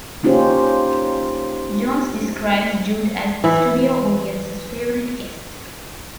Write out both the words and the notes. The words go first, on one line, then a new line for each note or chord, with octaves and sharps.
Jones describes Jude as the studio audience's favorite guest.
A#3 C#4 D#4 F4 G4 C5
E3 E4